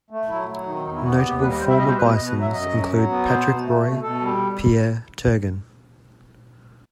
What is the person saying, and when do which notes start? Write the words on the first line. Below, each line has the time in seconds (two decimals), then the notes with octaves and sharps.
Notable former Bisons include Patrick Roy, Pierre Turgeon.
0.10 A3
0.29 F#3 E4
0.48 F#3
0.66 D#3 D#4
0.76 C4
0.85 E2 D#4
0.95 E4
1.03 B3 F#4
1.16 G4
1.22 D#2
1.29 G4
1.41 G3 B4
1.51 D#5
1.59 G3 C5
1.69 E5
1.78 B2 D#5
1.88 C5
1.97 B2 B4
2.15 B2 D#5
2.28 B4
2.34 F#3
2.41 E5
2.53 F#2 D#5
2.72 F#3
2.90 F#3
3.09 B3
3.27 B2 C5
3.46 B2
3.64 A3
3.84 B2
4.02 B2 A4
4.21 G3